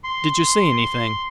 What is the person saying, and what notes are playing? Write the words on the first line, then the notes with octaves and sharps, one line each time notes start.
'Did you see anything?'
C6